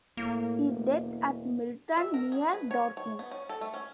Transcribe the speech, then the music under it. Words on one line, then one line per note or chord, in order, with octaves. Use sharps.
He died at Milton, near Dorking.
A2 A#3
E1
E5
A#4
G#4
B4
C#5
C#5
B3
C#4
A4
A3
C#4